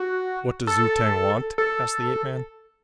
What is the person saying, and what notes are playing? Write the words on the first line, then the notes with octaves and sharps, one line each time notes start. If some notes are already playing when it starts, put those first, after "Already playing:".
"What does Zu-tag want?" asked the ape-man.
Already playing: F#4
A4
A4